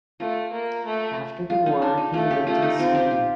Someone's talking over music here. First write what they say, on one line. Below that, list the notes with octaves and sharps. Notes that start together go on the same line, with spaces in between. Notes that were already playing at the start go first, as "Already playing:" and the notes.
After the war he lived in Sweden.
A3 F4
A#3
A3
F4
D#4
D4
D#4
A3 F4
G4
A3 F4
D#4
C4 F4
G4
F4